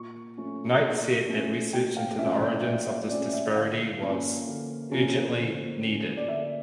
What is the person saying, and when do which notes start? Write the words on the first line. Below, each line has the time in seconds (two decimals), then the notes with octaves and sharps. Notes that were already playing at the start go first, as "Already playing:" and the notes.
Knight said that research into the origins of this disparity was "urgently needed".
Already playing: A#2 C#6
0.37 F3 A3 C#4
0.83 A#2
1.28 F3 A3 C#4
1.73 A#2 G5
1.97 F5
2.19 F3 A3 C#4 E5
2.41 D5
2.64 A#2 E5
2.87 E5
3.09 F3 A3 C#4 D5
3.33 E5
3.56 D3 F5
4.01 F3 A#3 C#4
4.47 D3
4.92 F3 A#3 C#4
5.37 D3
5.83 F3 A#3 C#4
6.17 D5
6.28 D3 E5